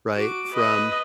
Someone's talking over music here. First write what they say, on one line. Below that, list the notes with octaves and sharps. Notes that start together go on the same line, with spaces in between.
right, from
F#4 D6
B4 D#5